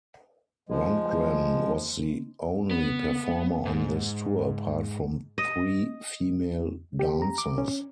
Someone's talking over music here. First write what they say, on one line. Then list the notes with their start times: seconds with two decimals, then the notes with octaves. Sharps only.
Rundgren was the only performer on this tour apart from three female dancers.
0.69 F3 G#3
2.71 B3
3.66 G#2
5.38 D#5
6.99 G4
7.22 A#5
7.38 D6
7.58 C#4